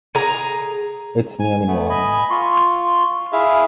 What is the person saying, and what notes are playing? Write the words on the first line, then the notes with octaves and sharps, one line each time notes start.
It's nearly morning.
G#4 A#5
G#5
A3 B3
D#5 G#5 B5
F4 C6 C#6
E4 G#4 E5 F5